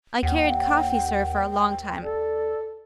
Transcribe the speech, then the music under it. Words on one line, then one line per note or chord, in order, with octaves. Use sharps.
I carried coffee, Sir, for a long time.
D#2 F#5 G5
A4 D5